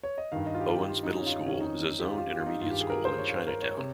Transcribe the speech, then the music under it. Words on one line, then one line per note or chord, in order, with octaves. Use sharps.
Owens Middle School is a zoned intermediate school in Chinatown.
C#5
D#5
G2 D#3 F5
D#5
F4
G4
G4
F4
D#4
C#4
F4
D#4
F2 D#3 C#4
D#4
G4
F4
F4
G4
F4
D#4
G2 D#3 F4
G4
G#4
A#4
C5
C#5
F5
C5
A#4
C#5
C3